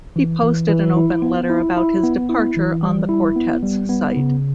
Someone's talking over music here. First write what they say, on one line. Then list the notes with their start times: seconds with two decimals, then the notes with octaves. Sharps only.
He posted an open letter about his departure on the quartet's site.
0.16 E3
0.43 E3
0.69 E3
0.97 E4
1.22 B3
1.50 E4
1.77 E4
2.03 B3
2.29 E4
2.57 E3
2.83 G3
3.09 E4
3.36 B3
3.63 G3
3.89 B3
4.17 C#3